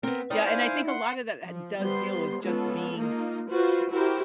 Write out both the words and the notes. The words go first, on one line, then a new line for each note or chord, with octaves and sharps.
Yeah, and I think a lotta that ha does deal with just being,
B3 C4 A#4
C4 D#4 E4 D5 D#6 F6
C5 F5 G#5
F#5 C6
F3
G3 B3 C5 C6
G#3 B3 C#4 F4 A4
A#3 D#4 F4
F4 F#4 B4 C5
E4 F#4 G4 A#4 C5